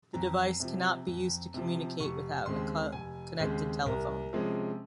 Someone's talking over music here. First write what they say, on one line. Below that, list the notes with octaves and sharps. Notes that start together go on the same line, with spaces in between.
The device cannot be used to communicate without a connected telephone.
F2 A#5
C3 F3
F2
C3 F3
F1 C#6
D#2 C#3 G#3 C4 C6
F1 G#5
D#2 C#3 G#3 C4 C5
C2 A#4
C3 F3 G#3 C#4